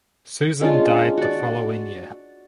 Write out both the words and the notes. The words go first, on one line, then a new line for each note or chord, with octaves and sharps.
Susan died the following year.
G#3 C#4 D4 F4
F#4 D5